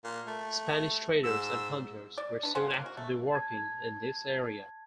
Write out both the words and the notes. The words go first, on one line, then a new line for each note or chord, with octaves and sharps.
Spanish traders and hunters were soon actively working in this area.
A#2
A3
G#2 E6
D5
D4 B4
G#4 C5 F5 F#5
C#3 A#3
F#4
A3
A5 G#6